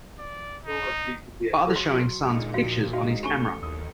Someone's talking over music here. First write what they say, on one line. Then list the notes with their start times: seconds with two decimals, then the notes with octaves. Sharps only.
Father showing sons pictures on his camera.
0.19 D5
0.64 D#4
1.76 F#3 C6
2.29 A#2 D3 G#3 D#4
2.54 F3 F#4 F5
2.93 G#3 D#4 F#4 F5
3.23 E2 A3 C#4 G4 A4 G#5 C#6 G7
3.63 D#2 D#6